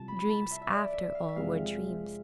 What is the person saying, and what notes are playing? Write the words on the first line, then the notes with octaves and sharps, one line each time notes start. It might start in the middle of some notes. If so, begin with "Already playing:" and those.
Dreams, after all, were dreams....
Already playing: C2 C3 F3 A5
B5
A5
E5
E5
D5
E5
F5
E5
F2 C3 G#3 C4 F5